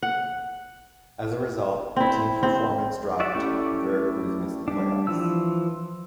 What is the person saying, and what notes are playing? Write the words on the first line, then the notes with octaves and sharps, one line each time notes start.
As a result, the team's performance dropped and Veracruz missed the playoffs.
F#5
C4 E4
C4
F#4 D5 E5
A3 C#4 E4 G4 D5
G3 D4
E3 F3 E6